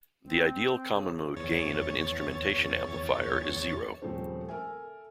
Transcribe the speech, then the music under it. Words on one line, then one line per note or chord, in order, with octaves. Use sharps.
The ideal common-mode gain of an instrumentation amplifier is zero.
C4
C#3
E2 C#5 A6
D#1 C#3 F3 A3 C4 C5
A4 A#4 E5 G#5